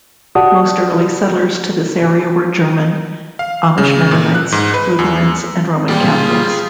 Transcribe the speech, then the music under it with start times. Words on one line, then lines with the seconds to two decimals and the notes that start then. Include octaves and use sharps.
Most early settlers to this area were German: Amish Mennonites, Lutherans, and Roman Catholics.
0.35 F#4 G4 D5 F#5 A5 D#6
3.39 F5
3.78 C#3
4.11 A#2
4.35 F#6
4.52 G#2
4.74 B4
4.99 E2
5.89 A#2 G3 F4 G#4 G5